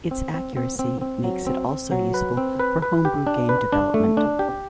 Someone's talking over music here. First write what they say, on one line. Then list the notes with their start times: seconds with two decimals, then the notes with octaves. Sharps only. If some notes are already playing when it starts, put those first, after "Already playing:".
Its accuracy makes it also useful for homebrew game development.
0.11 C4
0.34 C4
0.57 C4
0.79 C4
1.01 C4
1.24 F#3
1.47 C4
1.69 C4
1.91 F#3
2.14 B4
2.37 C4
2.60 B4
2.82 B4
3.05 G4
3.27 D4
3.49 B4
3.73 D4
3.94 A3
4.17 D4
4.39 G4